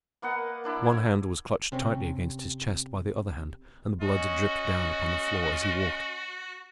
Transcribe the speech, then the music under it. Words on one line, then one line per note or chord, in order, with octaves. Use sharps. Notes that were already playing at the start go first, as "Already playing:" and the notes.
One hand was clutched tightly against his chest by the other hand, and blood dripped down upon the floor as he walked.
A#3 B3 D#5 F#5
A#3 D4 E4
G#5
C3 C4 C#4
C#4 F#4 D#5